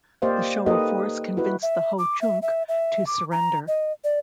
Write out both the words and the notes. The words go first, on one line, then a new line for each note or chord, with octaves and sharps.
The show of force convinced the Ho-Chunk to surrender.
A#3 G4 C5 D5 D#5 F5
A#3 D#4 G4 A4 B4 D#5
E4 F#4 B4
E5
D6
E5
E5
E5
D6
A#5
D#5
D5